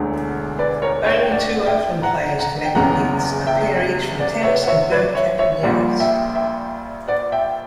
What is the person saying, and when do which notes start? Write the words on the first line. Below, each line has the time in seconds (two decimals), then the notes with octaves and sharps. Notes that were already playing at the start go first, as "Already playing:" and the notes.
Only two Oakland players collected hits, a pair each from Tenace and Bert Campaneris.
Already playing: E1 D2 D3
0.59 B4 D5
0.82 A#4 C#5
1.06 C#5 E5
1.22 G5
1.31 D5 F#5
1.66 E5 G5
2.02 F#5 A#5
2.39 F#5 A#5
2.65 G5
2.75 F#1 E2 C#3 F#5 A#5
3.46 E5 G5
4.19 D5 F#5
4.43 C#5 E5
4.63 F#5
4.68 C#5 E5
4.92 B4 D5
5.15 C#5 E5
5.39 C#5 E5
5.63 A#1 A#2 G3 D5 F#5
5.99 E5 G5
6.35 E5 G5
7.08 D5 F#5
7.32 E5 G5